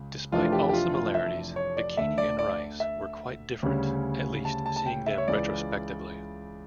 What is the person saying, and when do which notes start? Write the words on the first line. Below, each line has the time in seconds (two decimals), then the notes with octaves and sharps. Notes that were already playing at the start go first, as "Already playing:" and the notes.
Despite all similarities, Bikini and Rice were quite different, at least, seeing them retrospectively.
Already playing: C#2 C#3
0.32 F1 F2 E3 A3 D4 F4
0.53 G4
0.69 G4
0.73 F4
0.93 F4
1.15 E5
1.56 C#5
1.77 D5
1.97 D2 D3 A3 E5
2.18 D5
2.39 D5
2.80 E5
3.63 D2 C#3 G3 C#4
4.45 A5
4.66 A5
4.76 A5
4.86 G5
5.07 E5
5.18 C#5
5.28 C#2 C#3 E3 D5